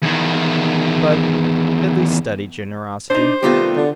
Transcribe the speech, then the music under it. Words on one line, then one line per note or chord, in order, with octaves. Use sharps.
But, at least, study generosity.
E2 D#3
D4 D#4 C5
C3 D#3 G3 A3 B3 F4 G4
D3